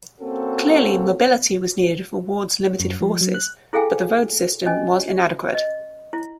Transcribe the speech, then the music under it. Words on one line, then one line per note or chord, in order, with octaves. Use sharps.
Clearly, mobility was needed for Ward's limited forces, but the road system was inadequate.
A#3 C4 C#4 F#4 A4
F#2
F3
F#3
F#6
E4 G#4 A4 F5 G5 G#5
C#4 D#5 G#5
D#5
E4